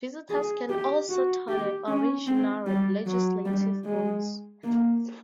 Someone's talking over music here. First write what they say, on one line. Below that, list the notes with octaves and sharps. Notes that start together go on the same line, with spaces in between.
Visitors can also tour the original legislative rooms.
G#4
G4
F#4
G4
C#4
C4
G3
F#3
G3
G#3
A#3